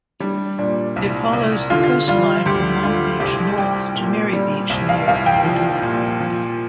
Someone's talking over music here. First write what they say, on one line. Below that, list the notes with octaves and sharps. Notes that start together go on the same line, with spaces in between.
It follows the coastline from Long Beach north to Merry Beach near Ulladulla.
G3 D4
A#2 D4
C2
C2
D3 F4
G3 F4
D2 G4
D3 F4
C2 G4
G3 G5
A#2
G3
C2
F5
C2 F5
G5
F3
A#2
F3